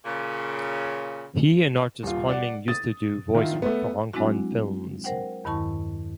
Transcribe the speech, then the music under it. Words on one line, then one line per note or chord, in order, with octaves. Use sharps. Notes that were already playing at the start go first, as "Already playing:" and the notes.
He and artist Quang Minh used to do voice work for Hong Kong films.
A#2 C#3
D#1 F4
D5 F#5
D#6 A6
D#3 E4 F4
A3 B3
F#3 G#3 C4 D4 E4 F#4
A#4 C5 F#5 G5
E2 G2 D#3 E4 A5 C#6